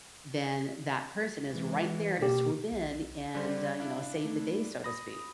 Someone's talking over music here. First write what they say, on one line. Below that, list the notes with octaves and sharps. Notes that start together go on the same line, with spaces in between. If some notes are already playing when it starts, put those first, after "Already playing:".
then that person is right there to swoop in and, uh, you know, save the day, so to speak.
E3 G#3
B2 A#3 G4
B1
D3 G3 C5 D5
D4 E4 F5
A3 D#4
B5 D#6 A#6